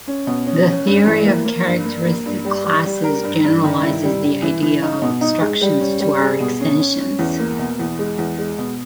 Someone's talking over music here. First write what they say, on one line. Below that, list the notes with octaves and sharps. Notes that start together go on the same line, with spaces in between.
The theory of characteristic classes generalizes the idea of obstructions to our extensions.
C#4
B2
C#4
C#4
G2
E3
A#3
A#3
G2
A#3
A#3
G2
G3
G3
G3
A#4
G2
G2
D#3
E4
G3
G3
E3
E3
D#4
B2
D#4
G#3
G3
C#4
G3
G#4
B2
C#4
C#4
C#4
E2
A#3
B2
E2
G#3
E2
G#3
B2